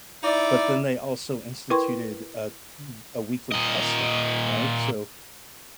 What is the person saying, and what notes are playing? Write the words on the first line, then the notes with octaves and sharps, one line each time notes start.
but then they also instituted a m a weekly testing, right? So,
D#4 E4 D5
E4 A#4 B4 G5 C6 C#6
A#2 D#5